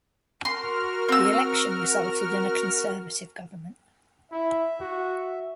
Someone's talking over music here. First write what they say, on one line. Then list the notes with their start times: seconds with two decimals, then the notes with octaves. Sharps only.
The election resulted in a Conservative government.
0.45 F#4 A#4 C6 F6
1.09 C4 E6
4.32 E4 E5
4.81 F#4